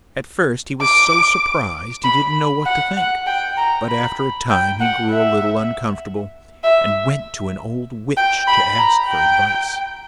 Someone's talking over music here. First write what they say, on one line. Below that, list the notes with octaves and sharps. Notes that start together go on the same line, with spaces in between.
At first he was so surprised he didn't know what to think, but after a time he grew a little uncomfortable, and went to an old witch to ask for advice.
D6
B5
F#5
F#5
G5
A#5
B5
G5
F#5
E5
E5
G5
B5
A#5
G5